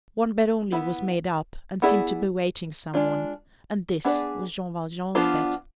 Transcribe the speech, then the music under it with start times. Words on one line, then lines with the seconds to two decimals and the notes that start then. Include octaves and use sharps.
One bed only was made up, and seemed to be waiting some one, and this was Jean Valjean's bed.
0.72 B3 E4 B4
1.82 B3 E4 G#4 D5
2.94 G#3 D4 F4
4.05 B3 D4 G#4 B4 D5
5.15 F3 B3 D4 F4